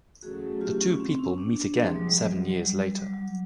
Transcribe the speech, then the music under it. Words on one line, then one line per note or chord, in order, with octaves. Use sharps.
The two people meet again seven years later.
E2 C#3 F#3 A3 F#4 G#4
F4 G4
C#4
C4
C#4
D4
C3 F3 G#3 C4
F#3
G3
F#3
F#3
G3
G3
F#3
F#3